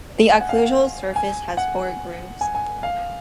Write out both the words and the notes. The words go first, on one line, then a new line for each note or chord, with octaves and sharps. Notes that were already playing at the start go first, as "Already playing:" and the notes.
The occlusal surface has four grooves.
G#5
F#5
F5
F#5
G#5
F#5
G#5
G#5
F5